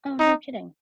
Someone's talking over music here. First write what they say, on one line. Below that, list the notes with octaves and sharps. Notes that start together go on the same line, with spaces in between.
Oh, no kidding.
D#4